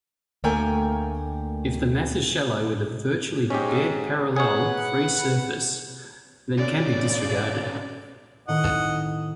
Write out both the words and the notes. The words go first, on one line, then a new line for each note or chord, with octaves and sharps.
If the mass is shallow with a virtually bed-parallel free-surface, then can be disregarded.
D2 A3 A#3 A#4 G5 G#5
G#2 C#4 G4
G#4 B4 C#5 F#5
D3 C#4 D5
A2 D#3 C4 D#5 F#5